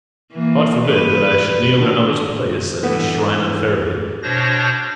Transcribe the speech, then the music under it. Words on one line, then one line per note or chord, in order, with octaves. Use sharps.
God forbid that I should kneel in another's place at any shrine unfairly.
E3 A#3
B4
D3 D#3
D3 E3 B3
B2 D4 C5 C#5 A#6